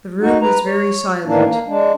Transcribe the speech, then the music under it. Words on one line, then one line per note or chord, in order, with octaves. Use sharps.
The room was very silent.
D#4 F#4
B4 A#5
C#5
A2 D#3 E3 A#3 D4
A#3
G#3 D4